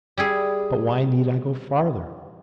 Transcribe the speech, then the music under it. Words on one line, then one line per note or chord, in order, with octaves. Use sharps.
But why need I go farther?
G3 E4 G#4